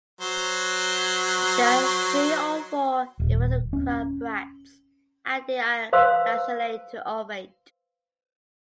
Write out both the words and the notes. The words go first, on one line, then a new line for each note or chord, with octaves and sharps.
There are three or four involucral bracts and they are lanceolate to ovate.
F#3 C5
D#1
C#4
B4 C5 F5 C6 E6